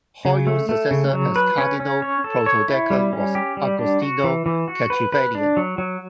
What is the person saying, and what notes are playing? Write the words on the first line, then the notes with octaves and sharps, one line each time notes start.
Hoyos' successor as Cardinal protodeacon was Agostino Cacciavillan.
C#3
A3
A3
C#3
F#3
B4
C#4
C#4
C#5
A4
C#5
E4
G3
C#4
G4
G3
D4
F#4
E3
E3
F#4
B4
B4
D4
F#3
F#3